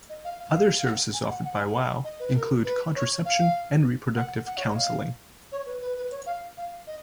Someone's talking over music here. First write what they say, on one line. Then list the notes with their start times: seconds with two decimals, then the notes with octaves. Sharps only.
Other services offered by WoW include contraception and reproductive counseling.
0.09 D#5
0.25 F5
0.39 F5
0.54 F5
0.78 F5
0.85 F#5
1.14 G#5
1.30 F#5
1.44 F#5
1.59 G#5
1.75 F#5
2.04 D#5
2.20 B4
2.35 A#4
2.65 B4
2.95 C#5
3.25 F5
4.16 F#5
4.46 F#5
4.57 C#5
4.67 D#5
4.76 F5
5.52 C#5
5.66 B4
5.82 B4
5.97 B4
6.11 C#5
6.26 F5
6.57 F5
6.87 D#5